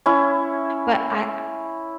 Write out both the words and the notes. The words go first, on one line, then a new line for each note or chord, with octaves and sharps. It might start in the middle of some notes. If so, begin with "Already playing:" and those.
but, I
C#4 E4